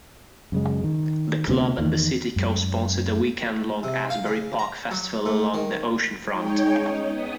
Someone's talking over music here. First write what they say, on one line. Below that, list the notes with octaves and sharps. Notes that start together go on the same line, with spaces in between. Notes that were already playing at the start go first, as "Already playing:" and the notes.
The club and the city co-sponsored a weekend-long Asbury Park Festival along the oceanfront.
F#2 C#3 G#3
D#3
D2 C3 G3 B3
E2 D#3
F#2 G#3
C3
F5
C#3
A#5
F#3
A2
D#3
G#3 D#4 C#5 G5
C#4 D#4
B3 D#6